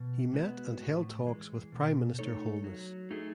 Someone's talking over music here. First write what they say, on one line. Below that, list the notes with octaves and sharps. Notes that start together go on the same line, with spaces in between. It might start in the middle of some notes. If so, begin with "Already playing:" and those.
He met and held talks with Prime Minister Holness.
Already playing: B2
G#3 B3 F#4 B4
A2
E3 G#3
B2
A3 D#4 A4 C#5
F#3
A3 D#4 G#4